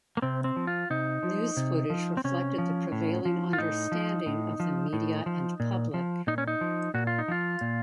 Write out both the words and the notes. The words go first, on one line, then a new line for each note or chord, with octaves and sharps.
News footage reflected the prevailing understanding of the media and public.
A#3
C3 C4
C4
F3
F4
C3 D#4
F3
C3
F3
C4
C3 C#4
F3
A2
F3
F4
A2 D#4
F3
A2
F3
A2
F3
A#2
F3
A#2 D#4
C#4
D#4
F3
A#2 F#4
F4
D#4
F3 F4
A#2